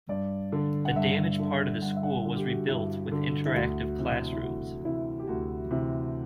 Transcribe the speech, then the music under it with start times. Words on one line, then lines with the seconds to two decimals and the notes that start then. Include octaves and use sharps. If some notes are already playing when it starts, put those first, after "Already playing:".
The damaged part of the school was rebuilt with interactive classrooms.
0.09 G2 D5
0.52 D3
0.85 F#5
0.96 G2 E5
1.39 D3
1.82 G2 F#5
1.96 E5
2.03 F#5
2.25 D3
2.36 G4
2.47 F#4
2.68 G2 E4
3.12 D3
3.46 E4
3.55 D2 F#4
3.99 C3 E3
4.33 E4
4.41 D2 F#4
4.85 C3 E3 E4
5.19 G4
5.27 D2 F#4
5.71 C3 E3